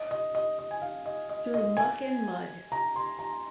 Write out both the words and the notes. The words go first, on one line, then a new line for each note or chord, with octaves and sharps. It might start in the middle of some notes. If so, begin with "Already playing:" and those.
Through muck and mud.
Already playing: D#5
D#5
D#5
D#5
G#5
F5
D#5
D#5
D#5
G#5
A#5
C6
A#5